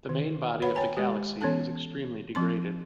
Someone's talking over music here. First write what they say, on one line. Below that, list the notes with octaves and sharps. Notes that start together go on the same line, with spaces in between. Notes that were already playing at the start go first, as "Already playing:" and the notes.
The main body of the galaxy is extremely degraded.
D#3
B4 C#5 F#5 B5
C#5 G5 G#5 A#5
G#3 G4
E3 B3 C#4 A4 A5
F3 C4 C6